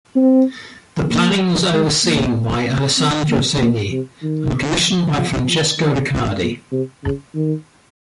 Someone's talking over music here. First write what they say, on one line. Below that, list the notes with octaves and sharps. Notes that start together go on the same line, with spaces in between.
The planning was overseen by Alessandro Segni and commissioned by Francesco Riccardi.
C4
A#3
G#3
A#3
A#3
C4
A#3
A#3
C3
D#3
F3
F3
D#3
A#2
C3
C#3
D#3